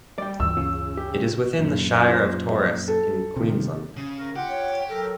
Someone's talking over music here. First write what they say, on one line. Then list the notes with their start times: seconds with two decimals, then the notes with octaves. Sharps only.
It is within the Shire of Torres in Queensland.
0.18 G3 D5 G5
0.40 D2 G2 E3 E6
0.57 C#3 C#4 F4 F5
0.97 G4
1.59 F#2 A#2
2.08 F4 C5
2.88 A4
3.36 C3 D#3
3.97 C#3
4.16 A#4
4.36 F4 G4 F#5
4.49 C#5
4.89 F#3 A4 A#4